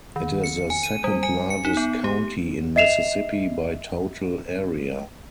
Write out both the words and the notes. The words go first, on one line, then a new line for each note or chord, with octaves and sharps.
It is the second-largest county in Mississippi by total area.
D#3
C#7
G#5
D#7
G3
G#5
C#7
D#4
B3
G4
D#5 E5 C7 E7 F7